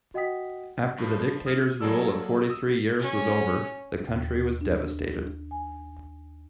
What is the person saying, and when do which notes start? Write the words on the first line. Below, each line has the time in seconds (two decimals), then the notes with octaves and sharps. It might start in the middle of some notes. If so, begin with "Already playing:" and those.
After the dictator's rule of fourty three years was over, the country was devastated.
0.14 F#4 D#5 F#5 G5 D#6 B6
0.98 G2 F3
1.46 D#6 F6 G#6 C7 C#7
1.81 F#3 A#3 G#4 A4 D5 E6
2.50 D#6 E6
3.00 C#4
4.07 D#2
4.61 D4
5.51 G#5